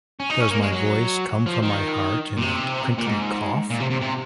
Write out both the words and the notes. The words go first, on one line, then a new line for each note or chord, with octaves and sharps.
Does my voice come from my heart in a crinkly cough?
C#4
D#4
C#4
A#3
G#3
F#3
F3
D#3
A#2
C3
A#2
G#2
A#2
C3
C3
C3